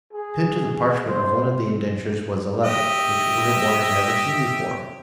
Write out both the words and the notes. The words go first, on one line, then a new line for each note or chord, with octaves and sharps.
Pinned to the parchment of one of the indentures was a letter, which Winterborne had never seen before.
G#4
C5
G4 D#5 E5